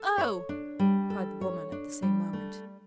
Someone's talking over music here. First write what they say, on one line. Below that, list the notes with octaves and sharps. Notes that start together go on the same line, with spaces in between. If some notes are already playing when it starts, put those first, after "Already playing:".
"Oh!" cried the woman at the same moment.
Already playing: A4
C#5
D4
G3
A4
C#5
D4
G3
A3